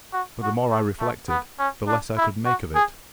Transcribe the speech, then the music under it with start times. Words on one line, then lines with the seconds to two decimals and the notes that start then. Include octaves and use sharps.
But the more I reflected the less I could make of it.
0.13 F#4
0.43 F#4
0.71 A3
1.00 A3
1.30 B3
1.59 C#4
1.88 D4
2.17 E4
2.46 F#4
2.75 G#4